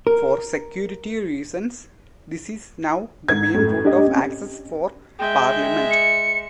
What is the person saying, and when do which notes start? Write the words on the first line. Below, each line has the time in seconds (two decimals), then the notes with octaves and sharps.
For security reasons this is now the main route of access for Parliament.
0.07 A#4
3.28 G#2 G#6
3.55 F#2 A2
3.85 D4 G4 D#5
4.08 C4 C#4
5.19 G#3 E5 G5
5.91 C#7